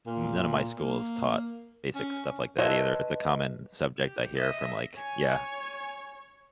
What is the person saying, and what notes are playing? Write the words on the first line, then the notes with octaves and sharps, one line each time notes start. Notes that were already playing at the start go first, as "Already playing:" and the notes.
m none of my schools taught basic stuff like that either, if it's a common subject I hear from, like Yeah
A#2
A#3
C#4
B4 C#5 D#5 E5 A5 C6
G4
D#5 E5
C#5 G#5